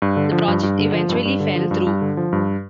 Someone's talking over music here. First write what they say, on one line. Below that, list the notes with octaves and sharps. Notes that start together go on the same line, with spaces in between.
The project eventually fell through.
G2
D3
F3
G2
G2
D3
F3
G2
G2
D3
F3
G2
G2
D3
F3
G2